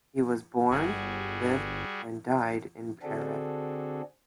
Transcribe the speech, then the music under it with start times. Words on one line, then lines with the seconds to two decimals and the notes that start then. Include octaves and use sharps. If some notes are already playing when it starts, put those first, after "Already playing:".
He was born, lived and died in Paris.
0.70 G1 G3 F#4 G#4
3.03 D3 C4 D4 F#4 G#4 A4